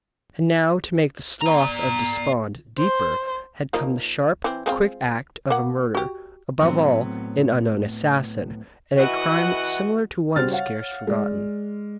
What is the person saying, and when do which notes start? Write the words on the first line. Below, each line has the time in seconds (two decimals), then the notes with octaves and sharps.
And now, to make the slough of despond deeper, had come the sharp, quick act of a murderer--above all, an unknown assassin--and a crime similar to one scarce forgotten.
1.41 D5 A#5
2.78 C5
3.73 F3 A#3 D#4
4.44 E3 C4
4.66 G#3 C4 F4
5.50 A#3 F#5
5.95 F#4 G4
6.60 A2 F#3 B3 C4
8.98 E3 E4 F#4 D#5 F#5
10.36 C#3 G3 F#4 C5 F6 A6
10.51 C#5 F5 F#5
11.07 G#3 D5